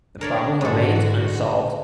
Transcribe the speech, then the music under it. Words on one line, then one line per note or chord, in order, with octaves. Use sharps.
The problem remains unsolved.
D4 A#4 C#5 D5
G#2 D3 G#3 F#4 A4